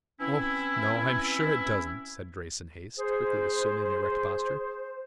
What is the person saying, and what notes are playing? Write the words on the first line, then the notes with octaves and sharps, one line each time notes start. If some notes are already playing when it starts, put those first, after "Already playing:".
"Oh no, I am sure it doesn't," said Grace in haste, quickly assuming an erect posture.
E3 C4 C#4 E4
G#4 C5